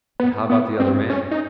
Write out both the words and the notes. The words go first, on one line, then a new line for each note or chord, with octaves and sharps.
"But how about the other man?"
B3
B3
C4
C#4
D#4